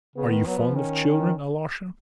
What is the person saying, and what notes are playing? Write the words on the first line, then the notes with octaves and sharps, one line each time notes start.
Are you fond of children, Alyosha?
C#3 B3
D#3
F#3 B3
F#3
F3
D#3 C#4
D#3